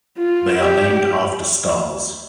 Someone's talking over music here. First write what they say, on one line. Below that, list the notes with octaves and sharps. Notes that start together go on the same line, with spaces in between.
They are named after stars.
F4
G4